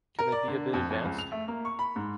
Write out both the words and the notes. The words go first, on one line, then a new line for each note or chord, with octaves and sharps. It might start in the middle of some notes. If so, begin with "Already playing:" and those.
Can they be a bit advanced?
A#4
D5
D3
F2
F2
C#2
F7
A3
A#3
C#6
B5
G#2